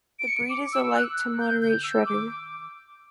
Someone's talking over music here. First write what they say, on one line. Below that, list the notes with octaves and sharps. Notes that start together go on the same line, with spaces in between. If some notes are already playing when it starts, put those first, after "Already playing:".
The breed is a light to moderate shedder.
D7
C#7
D6
E6
F#6
G6
G6
E6
D6